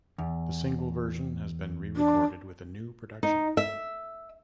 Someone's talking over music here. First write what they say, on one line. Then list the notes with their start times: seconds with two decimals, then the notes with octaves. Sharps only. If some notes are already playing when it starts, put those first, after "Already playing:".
The single version has been re-recorded with a new production.
0.18 E2
1.96 D4
3.23 D#4
3.57 E5